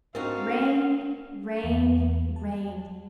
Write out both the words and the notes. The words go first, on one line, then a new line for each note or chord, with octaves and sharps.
Rain, rain, rain!
C4 D4 D#4 F#4 A#4 F5
E2
A5